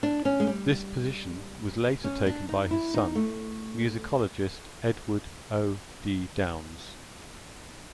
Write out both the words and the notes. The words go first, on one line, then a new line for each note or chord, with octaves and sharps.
This position was later taken by his son, musicologist Edward O. D. Downes.
D4
C#4
G#3
G3
C#4
D4
D#4
E4
D#4
A3